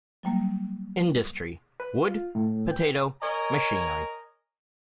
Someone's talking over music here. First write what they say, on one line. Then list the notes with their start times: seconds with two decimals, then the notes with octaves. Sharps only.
Industry: Wood, potato, machinery.
0.23 F#3 G3 A#3
1.80 B4
2.08 F4
2.35 A2
2.71 G5
3.22 A#4 C#5 D#5 G#5 A#5